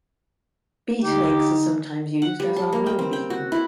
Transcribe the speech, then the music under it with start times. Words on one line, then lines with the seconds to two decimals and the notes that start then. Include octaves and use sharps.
Beaten eggs are sometimes used, as are non-beaten.
1.04 D3 D#4 G4
2.22 F#5
2.40 G3
2.56 A5
2.73 A#3
2.86 G5
2.99 C4
3.13 G5
3.30 F#4
3.52 E4